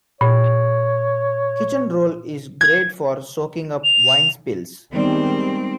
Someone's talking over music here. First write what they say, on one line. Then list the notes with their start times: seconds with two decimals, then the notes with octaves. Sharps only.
Kitchen roll is great for soaking up wine spills.
0.21 A#2 C#5
2.61 G#6
3.84 F7
4.93 D#3 G3 G#3 B3 C4 D#4 D5